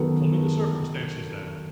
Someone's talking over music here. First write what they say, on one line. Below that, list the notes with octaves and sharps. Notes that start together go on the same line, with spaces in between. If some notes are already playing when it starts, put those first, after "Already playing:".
"Tell me the circumstances, then."
Already playing: D#3 F#3 B3 A4